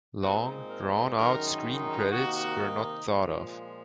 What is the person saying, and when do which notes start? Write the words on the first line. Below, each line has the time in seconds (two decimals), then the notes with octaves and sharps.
Long, drawn out screen credits were not thought of.
0.21 A#2 G#3 C4 D#4 F#4
0.69 A#4
1.16 F#2 D#3 G#3 D#4 A#4
2.11 C3 D#3 A#3 D#4 F#4
3.06 A#2 F3 G#3